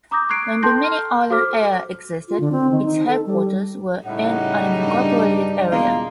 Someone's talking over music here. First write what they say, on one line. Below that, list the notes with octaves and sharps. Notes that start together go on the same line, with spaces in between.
When Bimini Island Air existed, its headquarters were in an unincorporated area.
A#5 D6 D#6 G6 A#6
C#6 F#6 G#6 C7 D7
A4 G5 A5 C6 G6 A#6
A#5 F6
F#4 A4 C5 D6 F6 B6
F4
D3
C4
D#3
D#4
A4
G3
A2 C#3 G3 D#4 F#5
G2 D4
E1 A#3 F4 G#4